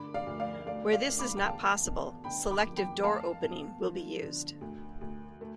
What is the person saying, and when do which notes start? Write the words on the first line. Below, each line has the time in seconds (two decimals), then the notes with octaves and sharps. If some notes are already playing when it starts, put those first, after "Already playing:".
Where this is not possible, selective door opening will be used.
Already playing: D3 A3 B5 D6
0.14 D5 F5
0.26 D2
0.40 D5 F5
0.67 A3 D5 F5
0.92 D5 F5
1.06 D3
1.19 B5 D6
1.37 G5
1.46 E2 F5 A5
1.85 B2
2.24 D3 G5 B5
2.51 B5 D6
2.64 F2
2.77 G5 B5
3.03 A3 F5 A5
3.43 B2
3.82 F3
4.22 D3
4.61 D2
5.01 D2
5.41 A3